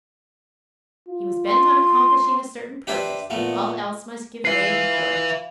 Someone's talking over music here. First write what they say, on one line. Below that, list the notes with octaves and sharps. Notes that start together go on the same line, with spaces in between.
He was bent on accomplishing a certain purpose, and all else must give way before it.
F4
C6
D4 G4 B4 C5 E5 B5
A#2 A3 B3
F4 B4 E5 C7